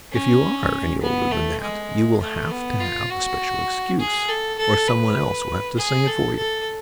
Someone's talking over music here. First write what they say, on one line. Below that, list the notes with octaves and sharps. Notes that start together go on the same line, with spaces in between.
If you are any older than that you will have to have a special excuse; or some one else will have to sing it for you.
C#4
B3
A3
G#3
A3
B3
F4
F#4
G#4
A4
A4
B4
G#4
A4
A4